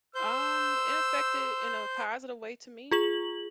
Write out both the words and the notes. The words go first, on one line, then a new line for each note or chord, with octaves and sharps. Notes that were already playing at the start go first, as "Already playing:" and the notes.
Um, it affected in a positive way to me,
C5 E6 G6
F4 G#4 F#7